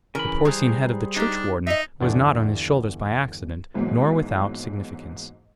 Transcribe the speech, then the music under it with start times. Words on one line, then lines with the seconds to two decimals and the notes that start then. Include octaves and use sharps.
The porcine head of the churchwarden was not on his shoulders by accident, nor without significance.
0.15 C#3 E3 A#4 B5
0.45 E3 G3 G#4 C5 A#5
1.16 D4 D#4 G4
1.67 D#4 D#5 E5
2.00 G1 E2 D4
3.74 B1 G#2 B2 E3 F#3 A#3